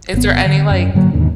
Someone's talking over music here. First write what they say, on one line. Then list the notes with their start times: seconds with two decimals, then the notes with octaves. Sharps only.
Is there any, like
0.14 G#1 B3
0.46 D3
0.71 F#2
0.94 G#2 D3 F#3 A#3
1.13 D#2 G#2 B2 D3